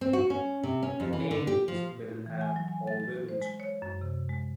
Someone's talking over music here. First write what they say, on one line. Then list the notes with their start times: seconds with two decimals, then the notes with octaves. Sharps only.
The name means "middle "ham" or village".
0.01 C4
0.13 F#4
0.30 C#4
0.63 C3
0.83 C#4
1.00 F2
1.13 E3
1.31 D3
1.47 G4
1.68 F3
2.26 E3
2.41 G#5
2.56 F#3
2.68 G#5
2.87 A6
3.00 A6
3.29 C5
3.42 G#3
3.60 C#5
3.82 F#2
4.01 C3
4.29 G#3